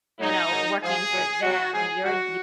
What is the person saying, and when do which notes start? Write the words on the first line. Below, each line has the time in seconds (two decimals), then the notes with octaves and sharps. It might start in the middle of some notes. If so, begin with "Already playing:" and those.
you know, working for them. You're you're
0.20 A#2 F#3 D#4
0.50 G#2 D#3 F#3
0.82 G#2 F3 G#4
1.12 A#2 F#3
1.42 B2 F#3 F#4
1.72 G#2 F#3 G#4
2.04 G#2 D#3 F#3 F#4